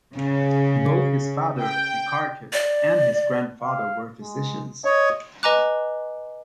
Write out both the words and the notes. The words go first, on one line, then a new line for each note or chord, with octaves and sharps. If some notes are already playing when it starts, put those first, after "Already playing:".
Both his father, Nicarchus, and his grandfather were physicians.
C#3
G5
D5
F5
G#3
C#5 D#5
B4 D#5 G#5 A#5 D6 F#6